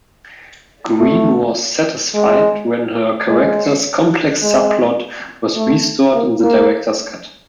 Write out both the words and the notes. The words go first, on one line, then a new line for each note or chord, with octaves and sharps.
Green was satisfied when her character's complex subplot was restored in the director's cut.
A3
G#3
G#3
G#3
A3
A#3
A#3